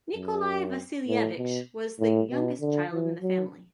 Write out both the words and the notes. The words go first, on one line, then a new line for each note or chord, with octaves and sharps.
Nikolai Vasilievich was the youngest child in the family.
F#2
A2
B2
A2
B2
D3
E3
F#3